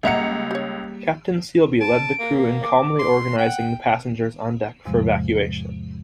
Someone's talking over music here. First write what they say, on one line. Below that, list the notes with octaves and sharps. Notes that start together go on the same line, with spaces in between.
Captain Sealby led the crew in calmly organizing the passengers on deck for evacuation.
C#2 G3 A#3 A4 E5 F#5 A#5 C#7
G4 C#5
A5 D7
A#3
D6
C6
F#5 G5
E2 G#2 C3 F3 G#3